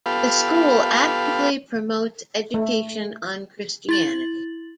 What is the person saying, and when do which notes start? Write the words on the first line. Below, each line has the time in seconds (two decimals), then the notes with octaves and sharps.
The school actively promotes education on Christianity.
0.06 B3 F4 G4 A4 B4 F5
2.54 A3
3.89 E4 A6 F#7